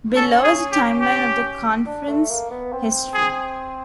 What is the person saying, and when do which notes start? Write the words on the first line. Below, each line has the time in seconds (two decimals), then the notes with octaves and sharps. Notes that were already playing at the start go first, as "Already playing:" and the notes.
Below is a timeline of the Conference's history.
0.16 C#4 A4
0.43 G#4
0.72 G4
1.00 G4
1.86 D4
2.08 A3
2.29 A#3
2.50 B3
2.72 C4
3.14 G#4